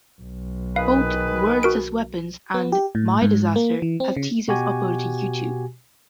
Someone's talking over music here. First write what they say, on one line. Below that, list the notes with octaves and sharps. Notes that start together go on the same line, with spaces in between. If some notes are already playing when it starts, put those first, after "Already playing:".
Both "Words As Weapons" and "My Disaster" have teasers uploaded to YouTube.
B1
D#3 G#4 B4 F5
F#4 A#4 D7
B3
G4
A2
G#2
A#3
E3
C4
C#3
B2 F#4 G4 G#5